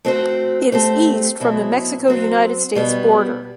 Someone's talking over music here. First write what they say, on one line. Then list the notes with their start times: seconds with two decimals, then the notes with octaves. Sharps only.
It is east from the Mexico-United States border.
0.05 A3 C4 F#4 C5
0.72 A3 C4 G4 C5
1.40 B2 F#3 C4 E4
2.08 F#3 C4 F#4 C5
2.75 B2 G3 B3